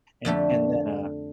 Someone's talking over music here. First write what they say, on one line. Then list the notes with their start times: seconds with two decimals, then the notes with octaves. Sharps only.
and and then, uh,
0.25 F2 D3 A3 G4